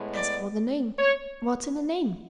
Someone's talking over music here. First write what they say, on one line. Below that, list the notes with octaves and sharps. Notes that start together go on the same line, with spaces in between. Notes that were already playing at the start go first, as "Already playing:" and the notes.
As for the name--what's in a name?
Already playing: A2 G#3 B3
D5
C#5